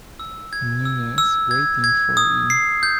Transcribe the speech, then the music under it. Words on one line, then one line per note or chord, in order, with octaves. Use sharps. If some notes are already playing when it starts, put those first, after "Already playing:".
Nunez waiting for him.
E6
G#6
E6
E6
G#6
G#6
D#6
C7
G6